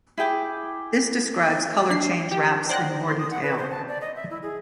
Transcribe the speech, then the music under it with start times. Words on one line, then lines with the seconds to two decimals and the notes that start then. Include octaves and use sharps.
This describes Color Change Wraps in more detail.
0.18 E4 G#4 G5 D6
1.90 D4 C7
2.32 G4
2.69 C5 D5 F#5 G5 F#6 A#6
3.07 C6
3.19 D#6
3.31 F#5
3.43 B4
3.58 C5
3.71 A5
3.88 D5
4.01 D#5
4.16 E5
4.30 E4
4.42 G#4